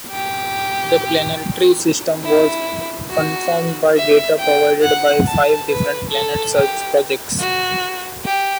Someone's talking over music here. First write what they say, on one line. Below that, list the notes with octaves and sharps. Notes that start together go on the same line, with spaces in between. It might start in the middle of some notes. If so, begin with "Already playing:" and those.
The planetary system was confirmed by data provided by five different planet search projects.
G4
E4
F#4
E5
G5
F#5
A5
B4
A4
G4
F#4
G4